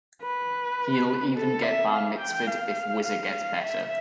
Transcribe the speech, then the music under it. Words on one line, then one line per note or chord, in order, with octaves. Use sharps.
He'll even get Bar Mitzvahed if Whizzer gets better.
B4
A4
E5
F5
G5
F5
F5
F5
E5